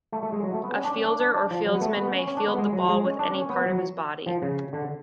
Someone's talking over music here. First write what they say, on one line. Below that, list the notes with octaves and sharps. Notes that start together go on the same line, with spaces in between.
A "fielder" or "fieldsman" may field the ball with any part of his body.
A3
A3
G#3
F#3
A3
B3
C#4
D4
C#4
D4
D4
D4
F3
F#3
B3
A3
B3
C#4
C#4
D4
B3
G#3
F#3
G#3
C#4
D4
C#4
B3
F#3
F3
C#3
D3